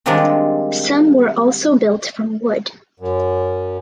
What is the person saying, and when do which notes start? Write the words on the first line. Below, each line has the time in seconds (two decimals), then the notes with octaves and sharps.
Some were also built from wood.
0.06 C3 D#3 F3 G3 G#3 D4
3.00 F#2